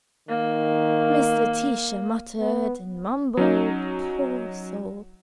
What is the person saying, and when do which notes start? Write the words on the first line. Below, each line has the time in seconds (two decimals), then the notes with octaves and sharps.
Miss Letitia muttered and mumbled, poor soul.
0.29 D#3 A#3
2.40 B3
3.37 F#3 C#4 D#4